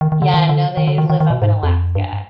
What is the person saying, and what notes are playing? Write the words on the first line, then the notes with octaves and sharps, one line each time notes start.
Yeah, no, they live up in Alaska.
D#3
D#3
D3
D#3
D3
D#3
D3
D#3
D#3
D#3
B2
G#2
F2
G2